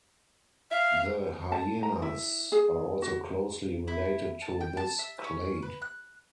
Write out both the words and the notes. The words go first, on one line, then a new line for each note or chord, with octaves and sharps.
The hyenas are also closely related to this clade.
E5 F5
A5
A#5
E4
G#4
F#4
E4
A5
G5
A5
E5
C#4
B4
F#6